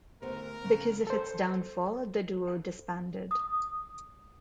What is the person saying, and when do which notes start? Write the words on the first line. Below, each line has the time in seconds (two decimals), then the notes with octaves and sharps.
Because of its downfall, the duo disbanded.
0.22 D2 B3 A#4 C5
0.65 F2 C#3
1.07 A4 C5
3.31 D#6